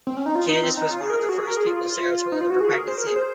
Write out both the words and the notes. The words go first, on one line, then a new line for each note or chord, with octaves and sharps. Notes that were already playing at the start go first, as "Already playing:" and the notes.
Candice was one of the first people Sarah told of her pregnancy.
C4
C#4
D#4
F4
D#4
C4
D#4
F4
G#4
A#4
G#4
F#4
G#4
A#4
G#4
F4
D#4
F4
F#4
G#4
A#4
G#4
C5
A#4
G#4
C5